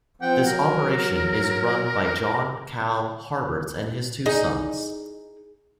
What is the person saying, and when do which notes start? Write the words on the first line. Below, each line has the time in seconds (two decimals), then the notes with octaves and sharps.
This operation is run by John "Cal" Harberts and his two sons.
0.22 F3 C4 F#5 G5
0.47 F#3 A#4
4.26 D#4 G#4